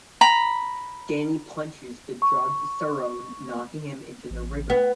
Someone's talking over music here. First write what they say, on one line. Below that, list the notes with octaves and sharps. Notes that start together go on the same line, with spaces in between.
Danny punches the drugged Sarone, knocking him into the river.
A#5 B5
C#6
A1
B3